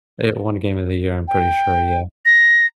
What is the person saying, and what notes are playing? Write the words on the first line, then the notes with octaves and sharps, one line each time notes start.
It won Game of the Year, I'm pretty sure, yeah.
G5
A#6